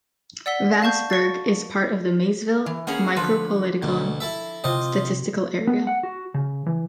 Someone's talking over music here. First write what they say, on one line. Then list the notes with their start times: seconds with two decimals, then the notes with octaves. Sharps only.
Vanceburg is part of the Maysville Micropolitan Statistical Area.
0.46 D5 F#5 E6 B6 G7
0.82 F5 A5 C#6 G6
1.10 C#6 A6
2.66 E3
2.87 A#3 B3 C#4 G#4
3.17 D3 F3 B4
3.83 D2 B2
4.20 E4 A4 E5
4.64 C3 F4 C5 D#5
5.67 B3
5.87 F#5
6.03 F#4
6.34 C#3
6.66 E3